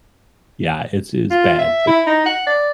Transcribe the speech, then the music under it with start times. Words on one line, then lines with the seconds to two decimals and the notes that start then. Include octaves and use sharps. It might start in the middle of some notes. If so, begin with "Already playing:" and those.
Yeah, it's it's bad.
1.30 F4
1.59 E5
1.87 E4
2.07 D#4
2.26 F#5
2.47 D5